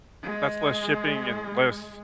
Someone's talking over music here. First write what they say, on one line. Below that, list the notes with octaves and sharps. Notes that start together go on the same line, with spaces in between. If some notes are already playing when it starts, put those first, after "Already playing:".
that's less shipping and less,
G#3